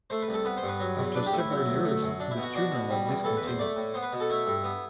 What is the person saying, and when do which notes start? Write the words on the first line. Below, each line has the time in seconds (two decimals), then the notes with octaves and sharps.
After several years, the tuner was discontinued.
0.10 A3 C5
0.22 B4
0.28 C2
0.34 A4
0.45 B3 B4
0.57 C5
0.63 G2
0.68 B4
0.80 F#3
0.98 E2
1.14 D4 B4
1.26 G4
1.32 A2
1.39 E4
1.51 F#3
1.67 D2
1.85 A3
2.03 F#2
2.20 D4
2.31 E4
2.37 B2
2.43 F#4
2.55 D4 F#4
2.72 B2
2.90 G3
3.07 E2
3.24 E3 A4
3.37 B4
3.42 E2
3.48 C5
3.59 A3 D5
3.76 A2
3.94 B3 C5
4.03 B4
4.13 B2
4.20 A4
4.30 A3 E4
4.47 G2
4.64 B3